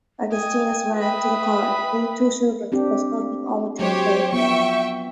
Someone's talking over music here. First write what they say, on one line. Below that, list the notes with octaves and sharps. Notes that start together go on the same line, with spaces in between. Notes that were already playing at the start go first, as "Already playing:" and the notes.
Augustinus ran to the car and pulled two children from the smoking, overturned vehicle.
D#5 G5 G#5
B4 E5 B5 D#6
C4 D4 G4
F#3 G4 C5 C#5
F3 B3 E5 G5 C#6